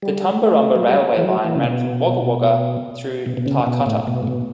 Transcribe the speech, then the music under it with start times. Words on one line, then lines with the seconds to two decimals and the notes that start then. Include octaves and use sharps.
The Tumbarumba railway line ran from Wagga Wagga through Tarcutta.
0.02 G3
0.43 A3
0.76 F#3
0.83 G3
1.17 E3
1.23 F#3
1.44 E3
1.55 C#3
1.64 B2
3.26 B2
3.37 B2
3.46 C#3
3.67 B2
3.86 A2
4.07 B2
4.23 A2
4.27 B2